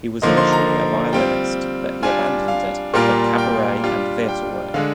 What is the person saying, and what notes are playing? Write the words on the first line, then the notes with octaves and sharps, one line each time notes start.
He was initially a violinist, but he abandoned it for Kabarett and theatre work.
D3 F3 A#3 D#4 C6
C6
A#5
G3 C4 F4 G5
G3 D4 F4 G#5
F5
A#2 G3 A#3 F4
G5
G3 D4 F4
G5
D3 G#3 D4 F5